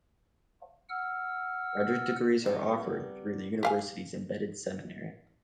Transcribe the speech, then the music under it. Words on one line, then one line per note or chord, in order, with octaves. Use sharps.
Graduate degrees are offered through the university's embedded seminary.
F#5 E6 F6
C3 G3 B3
G4 F5 G#5